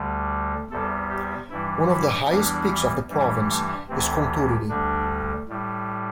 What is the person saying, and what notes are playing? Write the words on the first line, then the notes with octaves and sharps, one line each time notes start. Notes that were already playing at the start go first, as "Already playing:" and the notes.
One of the highest peaks of the province is Kunturiri.
Already playing: D2 D3 G3
E2 C3 G3 A4
G4
G2 E3 G3 E4
E4
E2 E3 G3 D4
G2 E3 G3
A3
D2 C3 E3 C4
D2 D3 G3 D4
A2 G3